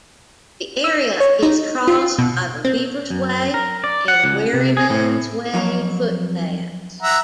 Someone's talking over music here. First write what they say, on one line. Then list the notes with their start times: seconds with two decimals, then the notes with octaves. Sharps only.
The area is crossed by the Weavers' Way and Wherryman's Way footpaths.
0.84 E6
1.20 C#5
1.43 D#4
1.88 F4
2.18 B2
2.65 C4
3.10 F#2
3.54 A#4
3.84 D5
4.08 F#5
4.24 C#2
4.53 C3
4.77 G#4
4.90 A2
5.54 F2 F#3 A#3
7.02 E5 F#5 A#5